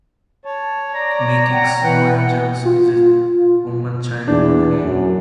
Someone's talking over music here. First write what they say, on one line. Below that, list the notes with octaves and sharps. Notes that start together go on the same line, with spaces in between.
Making snow angels is a common childhood game.
C#5 A5
D5 A#5
F#5 G5
E3 B4 F#5 G5
F4
E2 D4
F#2